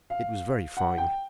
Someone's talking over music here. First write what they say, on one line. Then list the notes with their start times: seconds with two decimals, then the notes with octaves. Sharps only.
It was very fine!
0.10 F5
0.77 F#5
0.98 G5